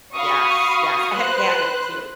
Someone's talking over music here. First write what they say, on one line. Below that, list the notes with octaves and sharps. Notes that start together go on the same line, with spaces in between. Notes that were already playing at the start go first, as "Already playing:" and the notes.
Yes, yes. I have catnip too,
F#4 F5 B5 C#6 D#6
B4 C5 C6 F#6